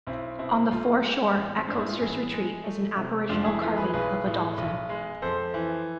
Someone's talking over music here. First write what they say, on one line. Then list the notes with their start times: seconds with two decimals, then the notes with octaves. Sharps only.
On the foreshore at Coasters retreat is an Aboriginal carving of a Dolphin.
0.07 B1 C4 E4
0.39 B2 C4 E4
0.71 B1 F4 A4
1.03 G#3
1.36 A1
1.57 C4
1.68 G#2 D4
1.79 E4
1.89 F4
2.00 A1 E4 G#4
2.33 G#3
2.64 A3
2.97 C3
3.29 F2 D4 F4
3.44 E4 G#4
3.61 E3 F4 A4
3.77 G#4 B4
3.93 B1 G#4 B4
4.26 A2
4.58 B1
4.89 G#3
5.22 F2 A4 C5
5.54 E3